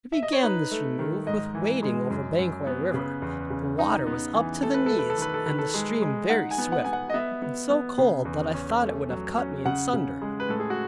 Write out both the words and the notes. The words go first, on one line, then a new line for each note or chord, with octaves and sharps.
We began this remove with wading over Banquang river: the water was up to the knees, and the stream very swift, and so cold that I thought it would have cut me in sunder.
E5
D#5
C#5
D#4 B4
A3
D#3
G#2 D#5
E3
G#3
F#2
F#2
B3
C#3 B4
E2
C#3
D#4
B3
E3
A3 A4
B4
A3 A4
B4
A4
D#3 B4
A4
D#3 B4
A4
G#3
G#3
D#4 F#5
G#5
B3
F#5
B3 G#5
F#5
D#5
B3 E5
B3
B3
C#3
E2
C#4
A3
F#3
C#4
C#3 F#5
C#3
G#3
B4
A2 A4
G#4
F#4